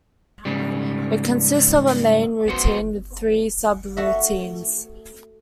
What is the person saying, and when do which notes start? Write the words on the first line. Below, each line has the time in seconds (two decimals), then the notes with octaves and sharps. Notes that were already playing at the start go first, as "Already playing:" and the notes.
It consists of a main routine with three subroutines.
0.45 G#2 C#3 G3
2.48 B3 F#4 C5
3.97 A3 F#4 E5